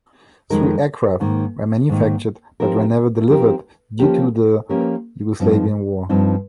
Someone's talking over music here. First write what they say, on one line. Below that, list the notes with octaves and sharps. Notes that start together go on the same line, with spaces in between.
Three aircraft were manufactured but were never delivered due to the Yugoslavin War.
F2 D#3 G#3 D#4 A#4
G#2 D#3 A#3
G#2 D#3 A#3
F3 C4 D#4 G4 A#4
F3 C4 D#4 G4 A#4
F3 A#3 C#4 G4 A#4
F3 A#3 C#4 G4 A#4
G2 F3 C4 D#4
G2 F3 C4 D#4